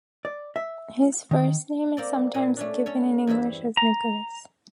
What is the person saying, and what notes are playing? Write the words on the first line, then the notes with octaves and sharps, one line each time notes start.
His first name is sometimes given in English as Nicholas.
D5
E5
D#3
A#3 C4 D5
A#2 G#5
A3 C#4 D4
C#4 A4 C#5
E2 G2 C4 E4 E5
A#5